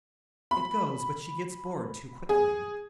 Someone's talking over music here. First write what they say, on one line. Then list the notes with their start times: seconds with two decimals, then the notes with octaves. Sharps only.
It goes, but she gets bored too quickly.
0.51 B5
2.29 G#4